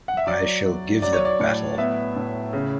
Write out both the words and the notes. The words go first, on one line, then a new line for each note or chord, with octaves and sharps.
I shall give them battle.
F#5
E5
F#3 D5
F#3
F#3 D5
C#5
D5
A2
B3 E5
A2
C#3